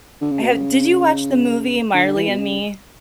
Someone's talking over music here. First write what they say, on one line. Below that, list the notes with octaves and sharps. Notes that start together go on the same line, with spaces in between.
have did you watch the movie Marley and Me?
D3
C#3
B2
C#3
D3
E3
B2
C#3